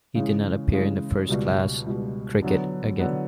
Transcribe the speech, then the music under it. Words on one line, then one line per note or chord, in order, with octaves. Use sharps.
He did not appear in first-class cricket again.
C#3 E3 G#3
C#3 E3 G#3
C#2 B2 G3
C#2 B2 G3
D3 F#3 B3
D3 F#3 B3